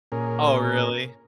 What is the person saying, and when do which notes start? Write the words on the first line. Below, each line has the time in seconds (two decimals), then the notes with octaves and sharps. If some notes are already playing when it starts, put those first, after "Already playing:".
Oh, really?
0.12 A#2 C#4 G#4 A#4